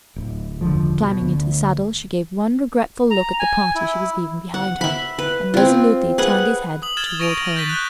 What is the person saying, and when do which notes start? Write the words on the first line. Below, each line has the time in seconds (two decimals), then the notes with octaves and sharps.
Climbing into the saddle, she gave one regretful look at the party she was leaving behind her, and resolutely turned his head toward home.
0.16 D1
0.61 E1 C#2 D3 F3
1.02 B2
1.21 D2
3.11 A#5
3.40 G#5
3.75 E4
4.54 F#5
4.81 E5 B5
5.19 B4
5.54 C4 F4
6.18 G#4 B4 F#5
6.82 D#6 F#7
6.97 F6 G#6 A6 E7 G7
7.20 C#6 A#6 D7 D#7 F7
7.34 A#6 D#7
7.56 G6 A6 B6 G7
7.69 F#6 G6